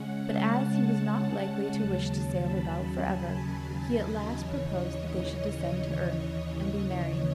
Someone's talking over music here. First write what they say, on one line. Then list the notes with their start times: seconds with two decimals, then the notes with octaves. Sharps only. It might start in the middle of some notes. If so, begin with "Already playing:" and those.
But as he was not likely to wish to sail about for ever, he at last proposed that they should descend to earth, and be married.
Already playing: C#3 G#3 C#4 F#5
0.23 A5
1.18 A5
1.80 D#2 C#3 F#3
2.43 B5
2.76 A5
3.06 G#5
3.38 B5
3.69 B5
4.01 D#5
4.32 D#2 C#3 E3 C#5
4.64 D#5